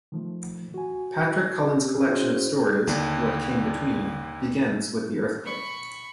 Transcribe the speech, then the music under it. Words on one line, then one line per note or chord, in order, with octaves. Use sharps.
Patrick Cullen's collection of stories, "What Came Between", begins with the earthquake.
D#3 F3 A3
F#4 G#5
C4 C#4 G4
C#4 E4 F#4 G#4 C5 C#5
D#2 D3 A5
B5 C#6